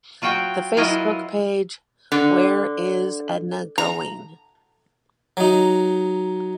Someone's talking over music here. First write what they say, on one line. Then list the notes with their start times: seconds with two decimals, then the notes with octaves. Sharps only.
The Facebook page, Where is Edna Going?
0.22 F#3 F4 F#4 G5
0.77 F#3 E4 F4 A#4 B4 D#5
2.12 D3
3.78 A#5
5.37 F#3 D#4